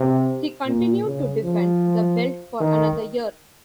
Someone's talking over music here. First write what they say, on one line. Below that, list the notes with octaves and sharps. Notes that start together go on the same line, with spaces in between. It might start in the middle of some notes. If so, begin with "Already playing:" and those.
He continued to defend the belt for another year.
Already playing: C3
A#2
C#3
F3
D#3